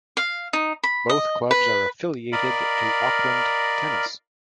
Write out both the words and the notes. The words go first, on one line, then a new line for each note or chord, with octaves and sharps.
Both clubs are affiliated to Auckland Tennis.
F5
D#4
B5
D#5
B4
A#4 D5 D#5 F5 B5